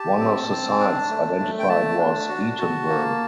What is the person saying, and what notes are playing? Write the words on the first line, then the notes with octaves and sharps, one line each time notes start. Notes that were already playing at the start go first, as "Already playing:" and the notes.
One of the sites identified was Eatonville.
Already playing: G4 A5
C4
C4
D4
A3
A3
G5
A3 A5
D4
F#4
F#4
A#3